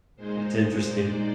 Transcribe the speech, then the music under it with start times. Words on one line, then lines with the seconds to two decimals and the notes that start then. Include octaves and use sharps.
It's interesting.
0.16 A#2 G#3 D#4 C5
0.84 D5